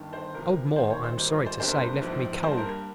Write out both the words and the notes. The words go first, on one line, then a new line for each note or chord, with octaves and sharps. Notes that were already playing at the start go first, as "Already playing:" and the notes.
Old Moore, I am sorry to say, left me cold.
Already playing: G1 G2 D#3
C5
C2 C3 F3 A#4
D#2 D#3 A#3 C5
C#5
C5
G#1 G#2 G3 C4 A#4
F4
C5
G1 G2 G3 A#3 C5
A#1 G#2 F3 C4
G2 G3 A#3 C5
A#4